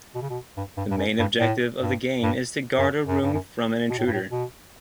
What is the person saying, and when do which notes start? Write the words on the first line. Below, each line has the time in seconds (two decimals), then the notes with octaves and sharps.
The main objective of the game is to guard a room from an intruder.
0.15 B2
0.22 C#3
0.30 B2
0.57 G2
0.77 G2
0.91 G2
0.97 F#2
1.19 G2
1.39 A2
1.81 G2
2.23 G2
2.78 F#2
3.07 F#2
3.21 G2
3.34 F#2
3.90 B2
3.98 A2
4.06 G2
4.13 A2
4.31 B2